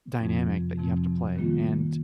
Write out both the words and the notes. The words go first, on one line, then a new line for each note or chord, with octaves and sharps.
dynamic that you have to play, and
F2 C3 F3 C4
F2 C3 F3 C4
D#3 G3 A#3 F4